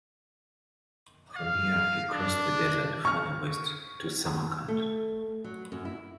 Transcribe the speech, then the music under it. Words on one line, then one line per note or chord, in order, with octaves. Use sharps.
From here, he crossed the desert further west to Samarkand.
F5
D4
C#6 F6
A3
F#3
F#2
E4